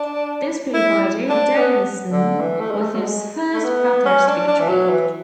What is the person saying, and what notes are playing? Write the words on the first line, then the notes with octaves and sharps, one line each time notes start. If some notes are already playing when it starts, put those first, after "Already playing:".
This provided Davison with his first Bathurst victory.
Already playing: D4
E4
D4
B3
D3
E3
A3
G#3
A3
F#3
G#3
A3
B3
C#4
D4
D4
E3
F#3
E3